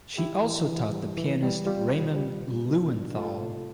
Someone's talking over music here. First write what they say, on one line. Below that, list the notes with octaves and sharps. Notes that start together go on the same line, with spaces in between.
She also taught the pianist Raymond Lewenthal.
E3 E4 G4
E3
E3
G3
E3
G3
G3 F4
B2
G3
B2
B2
D4
A3 F4 A4
C3